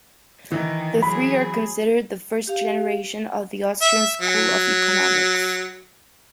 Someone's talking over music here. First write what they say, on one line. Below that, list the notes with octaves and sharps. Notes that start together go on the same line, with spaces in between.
The three are considered the first generation of the Austrian School of Economics.
D#3 E3
F#3 G#4 B5
G4 F5
E5
F#3